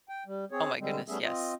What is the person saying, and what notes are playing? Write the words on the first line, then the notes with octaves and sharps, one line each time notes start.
Oh my goodness, yes.
G5
G3
C4 G#4 C#5
D3 G3 G#3 C4
G3 A3 B3 C#4 G#4 E5
C4 F4 D#5